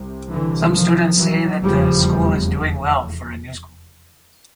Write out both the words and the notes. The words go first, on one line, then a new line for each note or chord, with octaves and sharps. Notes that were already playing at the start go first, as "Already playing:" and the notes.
Some students say that the school is doing well for a new school.
Already playing: C2 C3
D3 E3
D#3 F3
E3 F#3
F1 E2 C#3 F3 G3